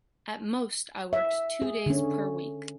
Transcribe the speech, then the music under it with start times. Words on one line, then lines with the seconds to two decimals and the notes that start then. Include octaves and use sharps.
At most, I worked two days per week.
1.13 E5
1.62 G#4
1.86 D3 C#4